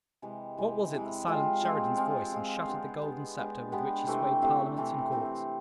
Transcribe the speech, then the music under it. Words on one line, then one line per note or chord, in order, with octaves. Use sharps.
What was it that silenced Sheridan's voice and shattered the golden sceptre with which he swayed parliaments and courts?
C3 E3 G#3
C3 E3 G#3
C3 E3 G#3
F3 G#3 C4 F4
F3 G#3 C4 F4
F3 G#3 C4 F4
F3 G#3 C4 F4
G#3 B3 D4 G4
G#3 B3 D4 G4
G#3 B3 D4 G4
G#3 B3 D4 G4
C3 E3 A3 C4
C3 E3 A3 C4
C3 E3 A3 C4
C3 E3 A3 C4